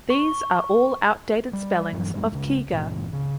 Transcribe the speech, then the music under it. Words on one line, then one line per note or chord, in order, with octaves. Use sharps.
These are all outdated spellings of Kiga.
C#6
G3
G2 E3 F#3
A1 F#2 G#3
C#2 C#3
C#2 G2 A#2 E3
C#3